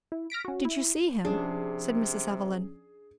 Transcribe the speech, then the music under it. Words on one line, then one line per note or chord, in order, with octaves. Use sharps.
"Did you see him?" said Mrs. Evelyn.
E4
F6 A#6 B6 D7
C#4 F#4
E4
C3 F3 C#4 D4 G#4